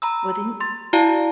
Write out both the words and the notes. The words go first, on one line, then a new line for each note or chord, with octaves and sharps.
Well, then,
A#5 B5 E6
C6 A6
E4 F#4 D5 F5 A5 A#5